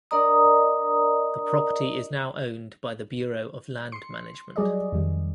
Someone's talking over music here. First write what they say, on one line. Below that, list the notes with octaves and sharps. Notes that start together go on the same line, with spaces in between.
The property is now owned by the Bureau of Land Management.
D4 A#4 D5 D#5 A#5 D#6
C6 C#7
F#3 G3 G#4 D5 D#5
F2 D#3 G3